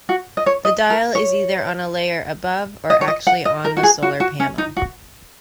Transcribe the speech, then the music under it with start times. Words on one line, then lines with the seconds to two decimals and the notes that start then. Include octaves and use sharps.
The dial is either on a layer above or actually on the solar panel.
0.09 F#4
0.37 D#5
0.46 C#5
0.65 D#5
0.90 A#4
1.15 C#5
2.90 D#5
3.01 C#5
3.08 D#5
3.27 F#5
3.45 D#5
3.65 A#4
3.77 F#4
3.83 G#4
4.03 F#4
4.20 F#4
4.40 C#4
4.58 D#4
4.77 F#4